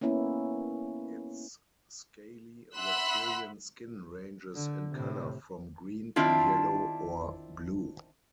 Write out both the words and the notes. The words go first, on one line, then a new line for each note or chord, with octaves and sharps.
Its scaly reptilian skin ranges in color from green to yellow or blue.
A#3 B3 C#4 E4
E5 F#5 B5 C6 E6 F#6
D3
A2 C3
D#3 C4 D4 E4 F4